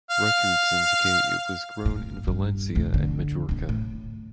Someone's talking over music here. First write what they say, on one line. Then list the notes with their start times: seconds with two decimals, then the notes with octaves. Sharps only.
Records indicate it was grown in Valencia and Majorca.
0.11 F5
1.86 A2
2.28 G2
2.75 D2 A2
2.94 D3
3.49 D1 D3
3.69 A2